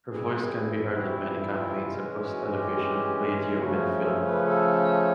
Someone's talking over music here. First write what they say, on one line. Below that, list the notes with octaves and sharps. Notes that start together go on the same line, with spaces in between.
Her voice can be heard on many campaigns across television, radio and film.
C3 E3 G3 C4 E4 G#4
F#4
F4
F4
E3 G#3 C#4
F#4
G4
C#3 F3 A3 C#4 F#4
A4
B4
A4